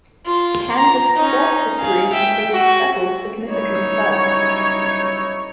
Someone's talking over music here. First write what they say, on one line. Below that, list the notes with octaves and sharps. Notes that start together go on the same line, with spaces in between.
Kansas sports history includes several significant firsts.
F4
A#5
C#4 D#4
G#4 F5
E5 G5
F#4
F#1 G3 D#4 E4 C#5